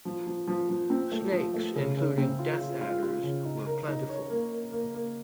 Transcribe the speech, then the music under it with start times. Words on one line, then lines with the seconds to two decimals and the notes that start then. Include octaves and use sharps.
Snakes including death adders were plentiful.
0.05 F3
0.27 F3
0.47 F3
0.69 F3
0.90 C4
1.12 A3
1.32 F3
1.54 A3
1.76 C#3
1.96 C#3
2.18 C4
2.39 F4
2.60 F4
2.81 F4
3.03 F4
3.23 C#3
3.45 D#4
3.66 A#4
3.88 D#4
4.09 C#5
4.30 A#3
4.51 A#3
4.72 A#3
4.94 A#3